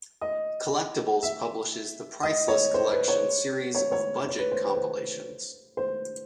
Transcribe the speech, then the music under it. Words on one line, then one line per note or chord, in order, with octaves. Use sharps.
Collectables publishes the "Priceless Collection" series of budget compilations.
D#5
E5
D#5
C#5
C5
B4
C#5
C#5
C#5
C#5
B4
C5
B4
C5
C5